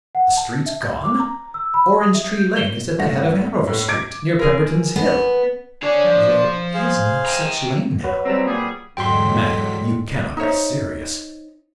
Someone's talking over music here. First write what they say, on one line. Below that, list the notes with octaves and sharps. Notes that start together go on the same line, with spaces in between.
Are the streets gone? Orange-Tree Lane is at the head of Hanover Street, near Pemberton's Hill." "There is no such lane now." "Madam! you cannot be serious.
F#5
A5
E5
D6
A#5
E6
B5
D#6
E5
G6
G7
G2 A3 F#5 A#6
A2
D6 G#6 D7
E3 G#4 A#4
B3
D4 G#4 C#5
F3
G#4 C5 F5
G5 A#5
F#3 B4
G3 C4 A#5 E6
A#2 G3 G#4
E2 G#2 D3 F#3 G#3 G5 C6 B6
D#4 C5 C#5 E5